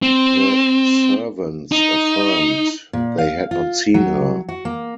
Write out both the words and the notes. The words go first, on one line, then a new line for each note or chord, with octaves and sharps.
The servants affirmed they had not seen her.
C4
D#4
A#2
F5
F4
F#3
F#4
A#3